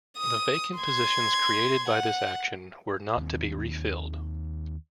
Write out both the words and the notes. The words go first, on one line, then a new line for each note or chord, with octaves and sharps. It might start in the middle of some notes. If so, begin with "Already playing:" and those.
The vacant positions created by this action were not to be refilled.
D#6
C6 G#6
F#5
D#2 D#3 C4